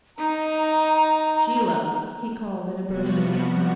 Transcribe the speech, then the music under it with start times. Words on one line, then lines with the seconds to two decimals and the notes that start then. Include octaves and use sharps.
'Sheila!' he called in a burst of anger.
0.18 D#4 A#5
2.86 C3 F3 G3 B3 F#4